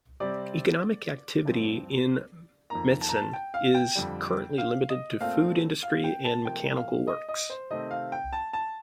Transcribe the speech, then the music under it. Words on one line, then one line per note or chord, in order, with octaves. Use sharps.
Economic activity in Mezen is currently limited to food industry and mechanical works.
C3 G3 C4 D5
G2 F3 C4
F2 D#3 A#3 A#5
A5
A#5
A5
G5
F5
G5
F2 D3 G3
F5
D#5
A#2 A3 C4 F5
F5
G5
A5
C3 F3 A#3 G5
F5
D#5
D#5
C5
C3 D#3 A3 C4 D#5
F5
G5
A5
A5